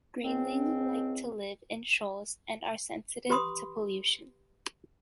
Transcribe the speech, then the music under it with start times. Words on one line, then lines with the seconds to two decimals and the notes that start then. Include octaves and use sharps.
Grayling like to live in shoals and are sensitive to pollution.
0.23 C#2 G#2 C4
3.30 G4 B4 B5 C6 D#6